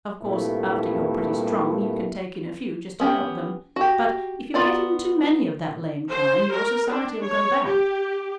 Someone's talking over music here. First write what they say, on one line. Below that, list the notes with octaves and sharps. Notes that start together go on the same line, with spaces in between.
Of course after you're pretty strong you can take in a few just to help them; but, if you get in too many of that lame kind, your society'll go bad.
C2 G2 A#2 A3 A#3 E4
B3 C#4 G4 G5
F#4 G4
B3 F4 D5 A#5
C5
A#4
D4
C#5
G4